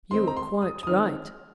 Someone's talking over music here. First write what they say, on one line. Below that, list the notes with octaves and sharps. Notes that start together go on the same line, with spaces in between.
'You are quite right.
D#3 C4 D#4 C6
A#5
C6
D#6
D#6
D#3 C4 D#4 F6